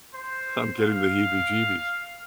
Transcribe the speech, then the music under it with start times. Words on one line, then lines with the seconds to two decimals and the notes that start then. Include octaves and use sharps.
I'm getting the heebie-jeebies.
0.13 C5
0.80 F5